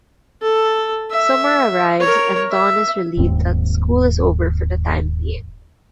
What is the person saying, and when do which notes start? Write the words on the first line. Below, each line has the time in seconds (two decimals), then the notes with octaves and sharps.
Summer arrives and Dawn is relieved that school is over for the time-being.
0.42 A4
1.11 E5
2.01 A#4 C#5
2.51 E5
3.17 D#1 D#2 G#2 C4